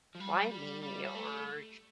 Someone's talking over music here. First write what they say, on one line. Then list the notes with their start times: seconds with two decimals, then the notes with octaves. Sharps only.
"Why me?" or
0.15 F3
0.20 G3
0.51 G3
0.83 G3
1.05 G3
1.15 A3